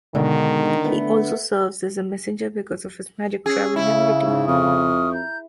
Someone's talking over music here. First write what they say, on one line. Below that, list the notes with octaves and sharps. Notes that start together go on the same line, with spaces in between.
He also serves as a messenger because of his magic travelling ability.
G#2 B2 D3 D#3 G#3
A3 B3
C#4 G#4 E6
C#3 E4
G#2
F2 C#6 D#6 F6
A#5 G6